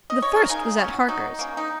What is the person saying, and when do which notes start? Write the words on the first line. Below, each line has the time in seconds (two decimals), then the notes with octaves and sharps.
The first was at Harker's.
0.10 D#5
0.22 C#5
0.36 A#4
0.49 C#3 D#4 G#4
0.79 C#4
0.84 F#3
1.08 F#3 D#4
1.39 A#3 C#4
1.57 D#4